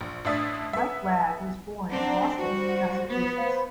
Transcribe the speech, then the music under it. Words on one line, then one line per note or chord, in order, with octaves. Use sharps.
Mike Ladd was born in Boston, Massachusetts.
A#1
A1 D4 E5 D#6 A6
B3 E5
C4 D4 F#5 A#5
G3 F#4 C5
B3
C5 F5 B5